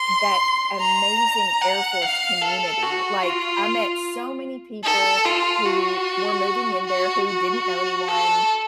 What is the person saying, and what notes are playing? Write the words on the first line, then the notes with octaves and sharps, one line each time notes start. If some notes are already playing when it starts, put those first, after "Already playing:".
that amazing Air Force community, like, I met so many people who were moving in there who didn't know anyone,
Already playing: C6
A#5
F#5
F5
A4
F#4
F4
A4
F4
F#4
F#4
F#4
A4